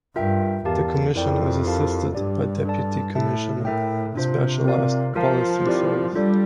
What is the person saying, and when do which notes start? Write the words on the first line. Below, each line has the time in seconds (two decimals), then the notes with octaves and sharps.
The Commissioner is assisted by Deputy Commissioner, Specialized Policing Services.
0.15 G2 F4 A#4 E5 G5
0.65 E2 G4 A#4 F5 A5
1.15 F2 E4 A#4 D5 G5
1.65 E4 G4 A#4 F5 A5
2.15 G2 D4 G4 D5
2.65 D4 A4 D5 A5
3.15 A2 E4 A4 E5 A5
3.65 E4 A#4 E5 G5
4.15 C3 D4 F4 C5
4.65 C4 F4 A#4 D5 F5
5.15 F3 F4 A#4 F5 A5
5.66 C4 E4 G4 A#4 D5
6.15 G3 D4 F4 A4 D5